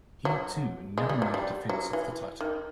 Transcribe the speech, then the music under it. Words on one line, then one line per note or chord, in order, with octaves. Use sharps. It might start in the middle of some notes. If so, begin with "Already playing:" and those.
He too never made a defense of the title.
F#3
G#3
G3
F#3
G3
F#3
E3
D#3